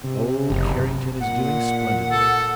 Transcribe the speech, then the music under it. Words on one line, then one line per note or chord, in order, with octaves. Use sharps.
Oh, Carrington is doing splendidly!
C3
F#1
A#2 F#5
A4